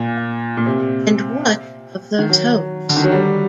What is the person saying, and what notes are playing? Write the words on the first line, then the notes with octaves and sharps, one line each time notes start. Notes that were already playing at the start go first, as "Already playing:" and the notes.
And what of those hopes?
Already playing: A#2
A#2
C3
D#3
F#3
D3
D#3
F#3
G3